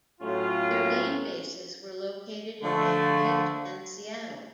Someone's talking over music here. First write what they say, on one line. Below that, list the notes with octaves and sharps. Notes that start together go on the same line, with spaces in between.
Their main bases were located in Anchorage and Seattle.
A2 F#3 A3 C#4 F4
D3 F3 A3